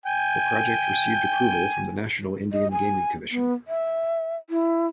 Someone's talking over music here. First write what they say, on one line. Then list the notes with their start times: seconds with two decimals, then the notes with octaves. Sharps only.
The project received approval from the National Indian Gaming Commission.
0.06 G5 G#5
2.53 D#5
2.72 G#5
3.31 B3
3.68 E5
4.50 E4